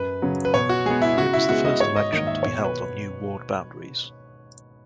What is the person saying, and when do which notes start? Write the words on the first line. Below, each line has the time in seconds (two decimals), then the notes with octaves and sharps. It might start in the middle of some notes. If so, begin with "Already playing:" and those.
It was the first election to be held on new ward boundaries.
Already playing: F#2 B4
0.22 C#3 F#3
0.45 B4
0.54 B2 C#5
0.69 F#4
0.86 G#3 B3 G#4
1.02 E4
1.17 C#3 F#4
1.33 E4
1.49 G#3 B3 F#4
1.65 D#5
1.80 G#2 C#5
1.96 D#5
2.12 D#3 A#3 D#5
2.27 E5
2.43 B2 C#5
2.64 B4